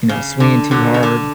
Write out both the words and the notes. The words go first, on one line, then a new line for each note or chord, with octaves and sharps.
you know, swinging too hard.
C#3
D3
D3 F#3
C#3
D3